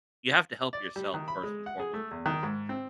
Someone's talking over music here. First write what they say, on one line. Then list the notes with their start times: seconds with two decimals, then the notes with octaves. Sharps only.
you have to help yourself first and foremost.
0.73 D5
0.96 G3
1.14 D#3
1.28 B5
1.43 G#3
1.66 F#5
1.80 G#4
1.94 A3
2.11 E2
2.26 D#3
2.43 G#2
2.69 C4